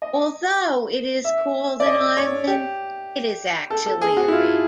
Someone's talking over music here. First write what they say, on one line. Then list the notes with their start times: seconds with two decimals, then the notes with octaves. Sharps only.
Although it is called an island, it is actually a reef.
0.02 D#5
1.25 E5
1.80 D5
1.86 D#5
2.17 C#5
2.47 G4
3.70 A4
3.86 A4
4.01 G#4
4.17 F#4
4.28 E4
4.32 F4